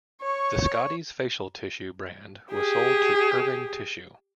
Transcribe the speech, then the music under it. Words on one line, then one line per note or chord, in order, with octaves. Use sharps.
The "Scotties" facial tissue brand was sold to Irving Tissue.
C#5 C#6
G4 G#4